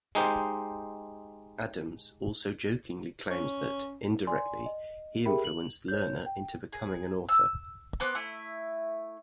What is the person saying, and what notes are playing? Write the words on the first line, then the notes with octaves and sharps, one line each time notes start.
Adams also jokingly claims that, indirectly, he influenced Lerner into becoming an author.
G#3 D#4 G4 C5
C#4
D5 G#5 C6
D#5
G4 G#4 A#4 E5 G5 B5
F#7
C#5 G6
G5
G#4
E6
B3 C4 D6 F#6
A3 E4